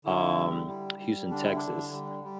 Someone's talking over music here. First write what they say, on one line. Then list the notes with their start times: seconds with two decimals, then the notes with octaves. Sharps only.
um, Houston, Texas.
0.05 D3 E4
0.36 G3
0.67 G3
0.99 G3
1.30 D3 D4
1.43 E4
1.56 D4
1.62 D3
1.93 G3
2.24 G3